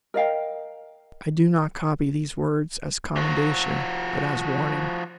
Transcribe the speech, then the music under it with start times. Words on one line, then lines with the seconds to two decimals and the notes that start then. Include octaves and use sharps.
I do not copy these words as commendation, but as warning.
0.14 A#4 D#5 F5 G5
3.16 F3 F#4